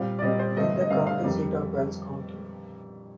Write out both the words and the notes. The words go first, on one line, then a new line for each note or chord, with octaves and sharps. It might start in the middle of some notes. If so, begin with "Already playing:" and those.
It is the county seat of Wells County.
Already playing: A#2 G3 C4 F5
D5
A#2 G3 C4 D#5
C5
G2 D3 A3 C4 D#5
D#5
G2 D3 A3 C4 F5
F5
F2 D#3 G3